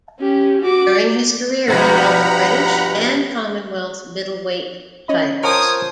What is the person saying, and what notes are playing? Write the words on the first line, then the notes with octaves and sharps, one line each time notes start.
During his career he held the British and Commonwealth middleweight titles.
C#4 G4
F#4 D6
G2 B2 F3 F#5 A#5 B5
C#4 D#5 B5
F3 A#4 C5 C#5 G5 G#5 D#6